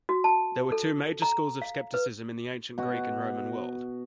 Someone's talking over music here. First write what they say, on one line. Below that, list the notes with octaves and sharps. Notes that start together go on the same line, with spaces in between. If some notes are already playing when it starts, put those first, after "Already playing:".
There were two major schools of skepticism in the ancient Greek and Roman world.
F#4
A5
A4
A#5
F5
B4
B2 F#4